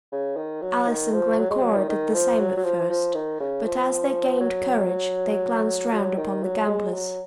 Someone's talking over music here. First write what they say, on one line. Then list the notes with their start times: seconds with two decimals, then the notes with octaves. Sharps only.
Alice and Glencora did the same at first, but as they gained courage they glanced round upon the gamblers.
0.12 C#3
0.36 D#3
0.62 F#3
0.87 D#3
1.13 F3
1.38 F#3
1.50 G#3
1.62 F#3
1.75 D#3
1.89 D#3
2.14 F3
2.39 F#3
2.57 F#3
2.65 F3
2.89 F3
3.14 D#3
3.40 C#3
3.65 F3
4.40 F#3
5.92 F#3
6.17 D#3
6.43 F#3
6.67 G#3
6.94 F#3